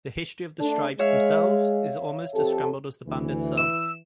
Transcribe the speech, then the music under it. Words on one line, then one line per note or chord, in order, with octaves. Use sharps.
The history of the stripes themselves is almost as scrambled as the band itself.
A3 D4
G#3 C#5 E5 F5
F2 G4 A4
D2 E3
E6 E7